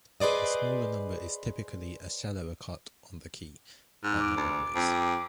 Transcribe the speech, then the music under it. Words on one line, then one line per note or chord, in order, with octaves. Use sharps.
A smaller number is typically a shallower cut on the key, but not always.
G#4 B4 C5 D5 D#5
G#2
D6
D2
F2